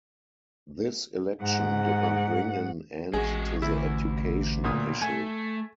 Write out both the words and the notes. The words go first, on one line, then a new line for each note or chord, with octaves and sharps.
This election did not bring an end to the education issue.
G#2 F#5
A1 G#3 F#4 G#4
D2 E4
B1 A#2 D#6
A3 G#5